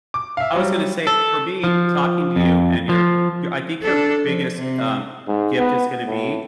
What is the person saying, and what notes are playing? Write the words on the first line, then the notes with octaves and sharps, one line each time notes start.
I was gonna say, for me, talking to you and your your I think your biggest g um, gift is gonna be,
D6
E5 F5
F#3 G3
A4
F3
F2
F3
D4 A4
F3
C3
G#2
B3
A2